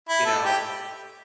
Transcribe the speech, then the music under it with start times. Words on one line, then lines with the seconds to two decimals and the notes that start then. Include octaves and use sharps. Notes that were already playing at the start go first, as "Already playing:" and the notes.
You know
0.09 E4
0.26 A4
0.45 G4